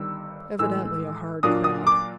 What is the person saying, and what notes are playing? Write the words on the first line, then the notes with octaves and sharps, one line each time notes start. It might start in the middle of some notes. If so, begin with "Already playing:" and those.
"Evidently a hard crowd."
Already playing: G1 G2 D#3 G3 E6
A2 E3 G#3 E6
A#2 F#3 A#3 D4 F4 D#6
D#6
D6